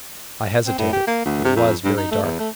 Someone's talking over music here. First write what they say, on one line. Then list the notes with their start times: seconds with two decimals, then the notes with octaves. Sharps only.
I hesitated: it was very dark.
0.66 C4
0.79 A2
0.93 G4
1.07 A#3
1.25 D2
1.44 C3
1.56 F2
1.84 G2
1.98 D#4
2.12 A3
2.23 E2
2.40 A3